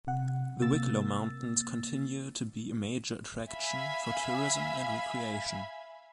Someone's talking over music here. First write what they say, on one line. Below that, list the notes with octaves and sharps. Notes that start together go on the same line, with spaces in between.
The Wicklow Mountains continue to be a major attraction for tourism and recreation.
C3 F#5
C3 A#3 E6 A6
E5 F5 G#5 B5